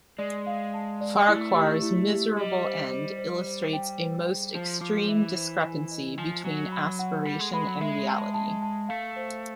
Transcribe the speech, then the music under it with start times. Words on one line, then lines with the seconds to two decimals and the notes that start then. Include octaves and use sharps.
Farquhar's miserable end illustrates a most extreme discrepancy between aspiration and reality.
0.18 G#3 D5
0.47 F5
0.74 A5
1.01 D5
1.19 G#3
1.28 A3 E4
1.55 G4
1.83 E4
2.09 G4
2.37 G3 D#5
2.64 C5
2.91 C5
3.18 C5
3.45 C5
3.73 G5
4.00 C5
4.27 G#4
4.54 F3 C5
4.81 F3 D6
5.08 E3 E5
5.36 C5
5.63 G#5
5.91 D#5
6.18 F3 G#5
6.44 F#3 G#5
6.72 B5
6.99 F#5
7.25 G3 A4
7.39 G#3
7.53 G#3 B5
7.67 F#3
7.81 G#3 E5
8.08 A5
8.34 A5
8.62 A5
8.89 A3 F5
9.16 C5